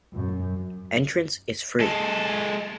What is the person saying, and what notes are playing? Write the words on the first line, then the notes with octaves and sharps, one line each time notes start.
Entrance is free.
F#2
G#3 A4